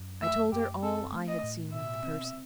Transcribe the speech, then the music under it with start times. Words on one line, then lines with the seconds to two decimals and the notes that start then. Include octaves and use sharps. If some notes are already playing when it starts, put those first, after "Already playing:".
I told her all I had seen of the person.
Already playing: F#2
0.21 A3 E5
0.52 F#2 G4
0.83 C4 A4
1.12 A3
1.28 D#5
1.43 A2
1.73 B2 E5
2.03 C4